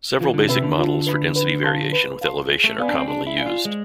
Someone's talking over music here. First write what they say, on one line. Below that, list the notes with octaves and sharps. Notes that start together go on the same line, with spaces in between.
Several basic models for density variation with elevation are commonly used.
E3 F4
D3
C3 B4 E5 B5
D3
F4
B4 E5 B5
B4
F5 A5 C6
B4
F5 A5 C6
G#4
A3
B3 D5 F5 G#5 B5
D4
C4
D4 G#4
E4
D5 F5 G#5 B5
F4
G#3 C5